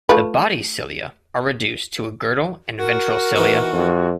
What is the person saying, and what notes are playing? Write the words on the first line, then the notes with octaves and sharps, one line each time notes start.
The body cilia are reduced to a girdle and ventral cilia.
A3 F4 B4
F#4 A#4
E3 B3 D#4
F2